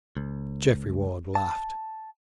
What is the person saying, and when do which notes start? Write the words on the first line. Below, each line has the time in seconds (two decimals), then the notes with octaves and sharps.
Geoffrey Ward laughed.
0.17 C#2
1.35 A5